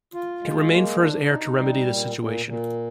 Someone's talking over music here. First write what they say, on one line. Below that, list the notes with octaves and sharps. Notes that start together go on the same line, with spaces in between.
It remained for his heir to remedy the situation.
F4
G#3
A#3
D4
D#4
G3
A#2
A#2
A#2